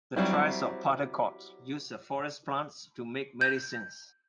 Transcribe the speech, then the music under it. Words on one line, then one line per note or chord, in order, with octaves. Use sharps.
The tribes of Patalkot use the forest plants to make medicines.
F#3 G3 C4 E4
G6